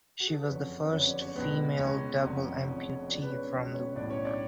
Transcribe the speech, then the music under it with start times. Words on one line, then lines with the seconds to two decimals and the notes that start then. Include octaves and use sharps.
She was the first female double amputee from the war.
0.20 F#4
0.27 G#4
0.34 A4
0.42 B4
0.49 F#1 F2 D3 C#4 C#5
0.83 B4
0.93 F#1 F2 D3 C#4 C#5
1.07 D4 D5
1.21 C#4 C#5
1.35 C#2 B2 B3 B4
1.79 C#2 B2 C#4 C#5
2.22 F1 F2 D3
2.66 F1 F2 D3
3.09 C#2 B2 D4 D5
3.22 B4
3.31 C#4 C#5
3.53 C#2 B2
3.74 C#4 C#5
3.95 B1 A2 D4 D5
4.10 C#4 C#5
4.25 D4 D5